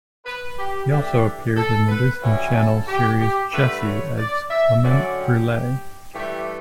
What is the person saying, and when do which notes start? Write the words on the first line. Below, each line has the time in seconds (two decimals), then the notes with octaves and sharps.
He also appeared in the Disney Channel's series "Jessie" as "Clement Brulee".
0.25 B4
0.59 G4
0.90 E3 A3 D4 G4
1.56 A4
1.89 B4
2.22 D3 F#3 C#4 E4 G4
2.55 A4
2.88 G4
3.19 G4
3.53 G2 D3 A3 B4
3.85 C#5
4.18 D5
4.50 E5
4.83 D3 F#3 C#4 D5
5.17 G4
6.14 G2 E3 A3 G4